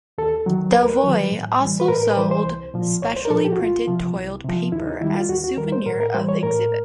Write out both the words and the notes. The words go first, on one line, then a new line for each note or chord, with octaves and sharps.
Delvoye also sold specially printed toiled paper as a souvenir of the exhibit.
D#2 A4
D#3 F#3
D#2 B4
A#4
B4
D#3 F#3
A2
E3 G3
B4
A2 A#4
A#4
B4
E3 G3 C5
C5
C2
A#2 F3
C2 C#5
C5
A#4
A#2 F3 A4
G4
F#4
C2 F4
C3 F3
C2
C3 F3
D#2 E4
D#4
D#3 G3 E4
F4
D#2 F#4
F#4
D#3 G3 A#4
C5
A2 A#4
A#4
E3 G3 C5
C#5
A2 A#4